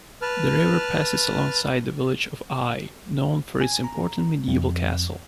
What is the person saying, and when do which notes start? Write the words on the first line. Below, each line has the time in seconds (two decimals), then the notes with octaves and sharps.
The river passes alongside the village of Eye, known for its important medieval castle.
0.22 B4 A5 F6
3.61 G#5
3.84 A#5
4.48 F2